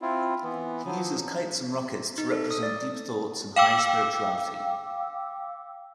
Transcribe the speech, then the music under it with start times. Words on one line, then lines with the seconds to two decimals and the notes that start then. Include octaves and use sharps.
He uses kites and rockets to represent deep thoughts and high spirituality.
0.02 C4 E4 F4
0.43 E3 B3
0.85 F3 F#3
2.18 D#4
2.32 A4
2.51 D#6
2.63 D5
3.56 F5 G5 D6 E6